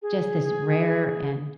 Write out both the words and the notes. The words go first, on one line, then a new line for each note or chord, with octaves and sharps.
just this rare and
G#4